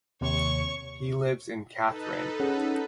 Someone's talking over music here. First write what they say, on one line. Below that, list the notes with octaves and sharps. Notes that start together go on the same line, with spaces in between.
He lives in Kathryn.
D#2 C3 C#5 C#6
D#4 A4 B4
C#4 G#4 F#5